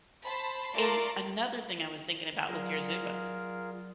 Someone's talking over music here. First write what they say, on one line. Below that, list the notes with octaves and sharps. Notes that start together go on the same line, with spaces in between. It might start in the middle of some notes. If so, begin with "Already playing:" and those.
and another thing I was thinking about with your Zumba:
C5 A5 B5
A3 F4 A#4 D5 A5 C6
F#3 F4 G#4 A#4 D5